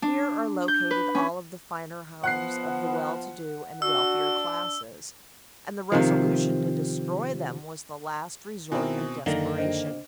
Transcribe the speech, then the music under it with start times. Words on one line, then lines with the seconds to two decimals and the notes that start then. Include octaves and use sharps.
Here are located all of the finer homes of the well-to-do and wealthier classes, and the resolution to destroy them was the last resort of desperation.
0.02 D4
0.68 G6
0.91 B4
1.15 C#4
2.24 F3 B3 F#5 F#6 C7
3.82 D4 F#4 E6
5.92 C3 D#3 F3
8.72 B2 D#3 C4 E4 A#4 G#5
9.26 F#2 D3 D#3 A#3 A#4 D5 A#6
9.58 D4 C5 D#5